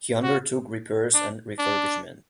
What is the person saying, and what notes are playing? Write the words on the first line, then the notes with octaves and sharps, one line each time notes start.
He undertook repairs and refurbishment.
F#4
D4
D4